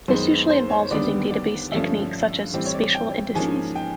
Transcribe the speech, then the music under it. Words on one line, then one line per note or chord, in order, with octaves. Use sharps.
This usually involves using database techniques such as spatial indices.
F#2 D#3 G#3 B3 C5
C5
C#5
D#2 D3 G3 B3 D5
D5
G2 D3 F3 A3 C#4 E5
A2 E3 G3 C4
C#5
D5
G5
G#2 F3 A#3 C#4 G#5
G5